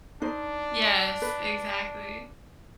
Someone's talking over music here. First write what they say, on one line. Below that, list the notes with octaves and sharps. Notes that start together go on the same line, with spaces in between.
Yes, exactly.
D4 D#4 C5
B4